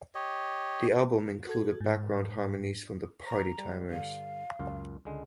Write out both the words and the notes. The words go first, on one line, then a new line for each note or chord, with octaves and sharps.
The album included background harmonies from The Party Timers.
G4 C#5 D#5
F#4 A4 G#6
G#2
A#5
G3
G2 D3 F5
C#2 F#2 F4
C#2 D3 G#3